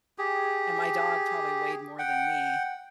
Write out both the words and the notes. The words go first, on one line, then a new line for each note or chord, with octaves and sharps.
and my dog probably weighed more than me,
G4 G#4
F#5 G5